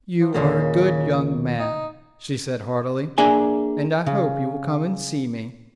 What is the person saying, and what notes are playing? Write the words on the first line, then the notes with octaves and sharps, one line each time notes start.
"You are a good young man," she said heartily. "And I hope you will come and see me."
F3
D#2 A#2 C#3 A#3
D#4
A#3 D4 G#4 E5 G#5
C#3